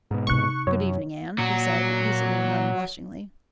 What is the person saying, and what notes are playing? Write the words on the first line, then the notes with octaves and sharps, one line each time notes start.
"Good evening, Anne," he said, easily and unblushingly.
G#2 B2
C3 D#4 C#6 F#6
F#2 C#5
A#2 F#3